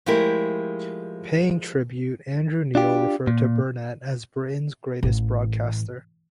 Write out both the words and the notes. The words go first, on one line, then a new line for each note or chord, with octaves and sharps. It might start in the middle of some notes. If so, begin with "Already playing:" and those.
Paying tribute, Andrew Neil referred to Burnet as "Britain's greatest broadcaster".
F3 G#3 A3 E4 G4 A#4
D4 F4 G4
A#2
A1